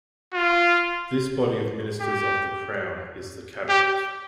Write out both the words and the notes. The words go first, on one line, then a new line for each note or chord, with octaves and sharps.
This body of ministers of the Crown is the Cabinet.
F4
G4
G4